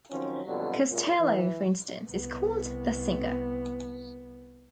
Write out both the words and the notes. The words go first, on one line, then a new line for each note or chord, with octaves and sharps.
Costello, for instance, is called the singer.
D#3 F3 F#3 C4 C#4
F2 B2 D3 F#3 G3
C#2 F#2 A#2
E3
C2 B3